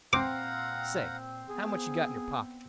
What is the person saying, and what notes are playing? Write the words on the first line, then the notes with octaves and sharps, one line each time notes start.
Say, how much you got in your pocket?
A#2 C4 F5 F#5 A#5 D6
B3 G#4